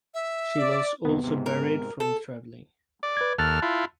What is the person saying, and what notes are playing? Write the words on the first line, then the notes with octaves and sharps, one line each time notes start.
She was also barred from traveling.
E5
D5
C2 F2 B3
G#2 C3
A#4
A4
D5
B4 G#6
D#2 A4 A5 F6 F#6 A6
E4 F4